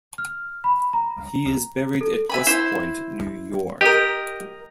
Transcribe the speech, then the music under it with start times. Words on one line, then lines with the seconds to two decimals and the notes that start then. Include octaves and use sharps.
He is buried at West Point, New York.
0.18 F6
0.64 B5
0.93 A#5
2.01 A4
2.29 E5 G#5 B5
2.47 E4 C5
3.81 G4 A#4 D#5